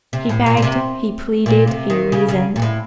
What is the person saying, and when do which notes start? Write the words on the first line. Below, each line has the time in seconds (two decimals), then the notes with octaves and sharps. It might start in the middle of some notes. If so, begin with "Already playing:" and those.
He begged, he pleaded, he reasoned.
0.13 C3
0.29 A2
0.46 A#2
0.57 A#2
0.62 C3
1.46 A#2
1.67 C3
1.90 D#3
2.12 C#3
2.28 C#3
2.56 A#2
2.62 A2